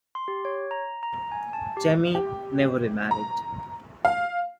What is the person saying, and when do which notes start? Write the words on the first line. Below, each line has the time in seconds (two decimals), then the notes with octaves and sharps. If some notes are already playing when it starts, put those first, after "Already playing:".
Jemy never remarried.
0.15 C6
0.28 G4
0.45 C#5
0.71 A#5
1.03 A#5
1.32 G#5
1.53 A5
1.77 G4
2.15 G4
3.11 A#5
4.05 F5